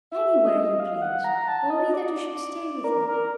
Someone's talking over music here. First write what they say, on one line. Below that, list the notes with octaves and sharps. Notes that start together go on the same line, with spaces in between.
"Anywhere you please, only that you should stay with me."
E5
D#5
F5
F#5
A#5
A5
D#5
D5
A#4
A#4